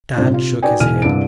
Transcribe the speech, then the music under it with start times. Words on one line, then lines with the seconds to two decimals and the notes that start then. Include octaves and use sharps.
Tad shook his head.
0.16 G#1 C3 D4 F4
0.30 C3 F4
0.63 D#4 F#4 B4 D5 G5 G#5
0.80 E1 B1 E3 G#5 F6 D#7
1.02 C2 G2 D4 E4 D7